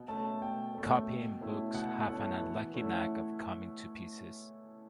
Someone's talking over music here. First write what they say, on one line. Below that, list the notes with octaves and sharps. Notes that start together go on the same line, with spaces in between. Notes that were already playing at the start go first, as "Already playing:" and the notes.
Copying-books have an unlucky knack of coming to pieces.
Already playing: B2
A3 C#4 A5
B2 G5
A3 C#4
B2
A3 C#4 E4
B2 F#5
A3 C#4 E4
E3
A3 C#4 E4